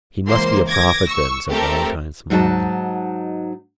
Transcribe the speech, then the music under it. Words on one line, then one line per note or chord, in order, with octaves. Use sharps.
"He must be a prophet, then," said Valentine, smiling.
C#2 E3 A#3 C5 C6
D6 G#6 A#6
C#6 E6
A3 C4 G4 A4 A#4
G#2 F#3 D#4 A#4 A5